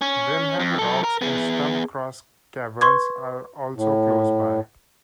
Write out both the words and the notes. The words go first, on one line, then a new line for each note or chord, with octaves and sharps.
Brimham Rocks and Stump Cross Caverns are also close by.
C#4
F2
F#3 A4
A#4 A#5
B3 G#4
B4 C6 C#6 G#6
A2